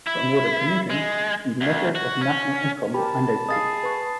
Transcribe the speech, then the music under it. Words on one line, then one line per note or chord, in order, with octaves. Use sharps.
For more information, see Measures of national income and output.
E4
G#3
D2
F#4
C#4
G4 A#4 A5 B5
G#4 D#5 F5 D#6 A6 C7
B4 C#6